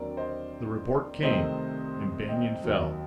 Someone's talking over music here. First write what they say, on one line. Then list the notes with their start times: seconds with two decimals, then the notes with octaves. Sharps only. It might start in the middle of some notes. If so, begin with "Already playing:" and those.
The report came; and Banion fell.
Already playing: D#2 D3 F#3 C4 A#4 D5
0.17 C5 D#5
1.23 C2 C3 D#3 A3 C4 C5 D#5
2.28 D#5 G5
2.63 D#2 D#3 F#3